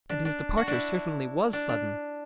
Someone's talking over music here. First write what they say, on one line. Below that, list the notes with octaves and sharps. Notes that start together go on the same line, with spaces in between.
And his departure certainly was sudden.
D4
D4
F#4
D4
E4
D4
D4